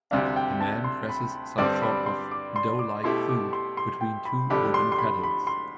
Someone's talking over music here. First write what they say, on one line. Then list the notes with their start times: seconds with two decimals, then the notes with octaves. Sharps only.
A man presses some sort of doughlike food between two wooden paddles.
0.11 D2 C3 G3 D4 F5
0.36 G5
0.60 A5
0.84 C6
1.09 B5
1.58 G2 D3 G3 C4 D5
1.82 B5
2.06 C6
2.31 D6
2.56 C6
2.79 D6
3.04 B2 A3 E4 G4 C6
3.29 D6
3.53 C6
3.77 C6
4.01 G5
4.25 B5
4.50 F2 D3 A3 D4 G4 B5
4.74 C6
4.92 C6
4.98 B5
5.23 B5
5.47 C6